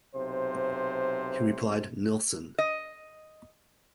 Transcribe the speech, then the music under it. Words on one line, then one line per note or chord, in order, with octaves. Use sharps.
He replied, "Nilsson".
B1 C3 C5
D#5